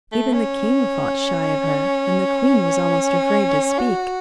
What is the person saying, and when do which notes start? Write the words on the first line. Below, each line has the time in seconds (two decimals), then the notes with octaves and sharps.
Even the king fought shy of her, and the queen was almost afraid to speak.
0.12 A3
0.34 C#4
3.79 F#4